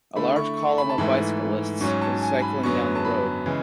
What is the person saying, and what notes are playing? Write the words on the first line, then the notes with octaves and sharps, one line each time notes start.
A large column of bicyclists is cycling down a road.
D3 A3 E4 B5
C#6
C#6
B5
A5
G#2 E3 A3 E4 B5
G#2 F#3 C#4 C#6
A5
G#5
B5
F#2 D3 F#3 B3 C#6
A5
B5
C#3 E3 G#3